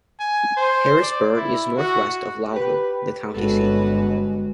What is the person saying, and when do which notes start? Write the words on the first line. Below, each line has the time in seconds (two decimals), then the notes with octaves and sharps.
Harrisburg is northwest of Lowville, the county seat.
0.20 G#5
0.57 C5
1.02 D5
1.36 E4
1.77 F#4
2.52 G4 B4
3.34 G1 G#3 F#4 A4 B4 C#5